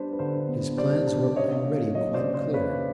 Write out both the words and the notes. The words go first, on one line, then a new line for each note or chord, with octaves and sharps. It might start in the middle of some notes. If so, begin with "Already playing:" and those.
His plans were already quite clear.
Already playing: G3 B3 D4 B4 C5
B4
D3 C5
B3
G3 C5 D5
D4
C#3 C#5 D#5
A#3
F#3 C#5 D#5
C5 D5
C#3
C5
C#3 B4 C#5